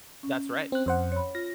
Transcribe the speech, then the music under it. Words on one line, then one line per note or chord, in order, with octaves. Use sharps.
That's right.
C#4
C4 F#6
F2 C5 F#5
C#5 B5
F4 A#6